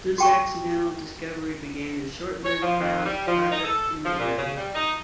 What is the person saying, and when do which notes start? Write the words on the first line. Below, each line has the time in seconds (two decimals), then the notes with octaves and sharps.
This accidental discovery began a short-lived crown "project" in the area.
0.18 F#4 G#4 G5 A5 C#6
2.44 C#5
2.62 F3
2.79 F2
3.04 G3
3.27 F3
3.51 D#4
3.64 A4
4.04 F3
4.18 A#2
4.37 C#3
4.55 G3
4.74 D#4